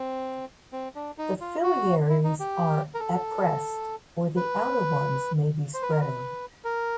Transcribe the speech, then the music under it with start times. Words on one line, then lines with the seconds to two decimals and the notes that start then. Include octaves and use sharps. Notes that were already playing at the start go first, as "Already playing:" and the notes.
The phyllaries are appressed or the outer ones may be spreading.
Already playing: C4
0.73 C4
0.95 D4
1.18 D#4
1.41 F4
1.63 F#4
2.09 E4
2.24 D#4
2.40 G4
2.94 A#4
3.00 A4
4.36 B4
5.74 C5
5.83 B4
5.91 A#4
6.01 B4
6.64 A#4